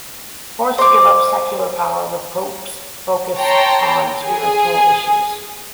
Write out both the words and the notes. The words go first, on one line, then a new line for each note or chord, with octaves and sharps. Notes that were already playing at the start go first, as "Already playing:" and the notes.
Forced to give up secular power, the popes focused on spiritual issues.
C5 D6
C#5 G5 A5 A#5 C6
G#4 G#5